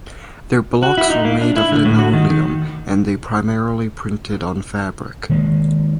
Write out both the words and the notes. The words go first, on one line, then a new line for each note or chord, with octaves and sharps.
Their blocks were made of linoleum, and they primarily printed on fabric.
F#4
E4
D#4
A#3
D4
E4
D3
A2
F#4
D#3
D#3
D#3 G#3 A#3